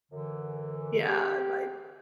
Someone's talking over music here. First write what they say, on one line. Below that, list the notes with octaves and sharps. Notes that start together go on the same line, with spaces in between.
yeah, like
F#2 D3 E3
G4